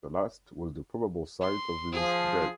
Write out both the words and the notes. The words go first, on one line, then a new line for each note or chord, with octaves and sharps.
The last was the probable site of his death.
C6
F3 G#4 C7